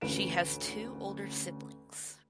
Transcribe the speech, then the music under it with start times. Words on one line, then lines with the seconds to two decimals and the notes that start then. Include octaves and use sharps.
She has two older siblings.
0.01 A1 D2 B4 D7 E7